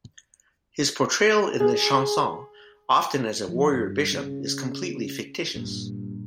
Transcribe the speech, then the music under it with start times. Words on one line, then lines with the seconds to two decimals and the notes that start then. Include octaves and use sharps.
His portrayal in the "chansons", often as a warrior-bishop, is completely fictitious.
1.60 G#4
3.48 F3
3.73 G2
4.13 C#3
5.55 G2 A#2